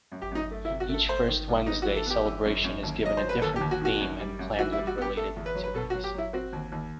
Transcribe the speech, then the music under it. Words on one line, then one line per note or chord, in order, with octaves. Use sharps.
Each First Wednesday celebration is given a different theme and planned with related activities.
F#2
G4
F#2 D#4
A3
E4
C3
F#4
A3 A4
A3 C5
D#3
C2
B3 D#4
F#4
E3
A4
B3 G4
E3
F#2
F#2
D#2
F#3 D#5
F#3 C5
B4
D#2 A4
G4
D#2
F#4
D#3 F#4
F#2
G3
F#2
E3 F#4
E4
G3
F#4
B3 G4
A3 A4
E2
B4
F#3
B4
B2 A4
F#4
F#3
G4
F#3 E4
C4 F#4
D#2
D#2